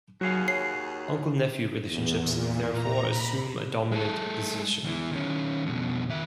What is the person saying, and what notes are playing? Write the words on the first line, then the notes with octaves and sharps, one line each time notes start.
Uncle-nephew relationships therefore assume a dominant position.
D#2 F#3 F#4 G#4 F5
C#5 C7
E2
A#2
A#5
B5
G#3 A4
E2 E4
D#3 C#4
F2 B2
D#3 E5